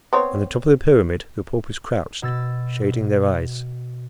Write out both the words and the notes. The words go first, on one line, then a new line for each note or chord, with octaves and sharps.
On the top of the pyramid the paupers crouched, shading their eyes.
B3 C4 C#5
B2 E6 A6